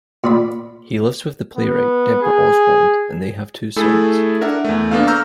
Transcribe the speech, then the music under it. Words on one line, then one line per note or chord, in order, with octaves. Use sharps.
He lives with the playwright Debra Oswald and they have two sons.
A#2 D5 B5
B3
G#4
A3 E4 G#4 A4
D4 A#4 E5 F#5
E2 A3
A#3 B3 D4 A4 F5
A#5 C#6 E6 F6 G6 A#6